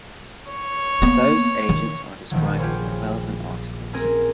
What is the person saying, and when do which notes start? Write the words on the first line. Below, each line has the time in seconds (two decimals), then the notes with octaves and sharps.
Those agents are described in the relevant articles.
0.53 C#5
1.02 A#3 B3
1.69 D#3
2.31 A#1 D#3 F3 F#3
2.58 F4 G4 G#4 C5 C#5
3.93 C4 G#4 A#4